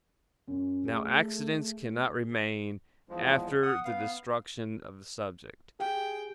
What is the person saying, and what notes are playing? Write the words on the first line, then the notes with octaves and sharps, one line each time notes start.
Now accidents cannot remain after the destruction of the subject.
F#2
A3 G#4
E2 F3 G#3
F#5 D#6
B3 F5
G4 G#4 G5